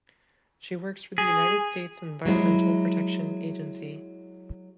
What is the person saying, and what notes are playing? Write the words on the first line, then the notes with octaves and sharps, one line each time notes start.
She works for the United States Environmental Protection Agency.
G#4
F#3 G#3 E4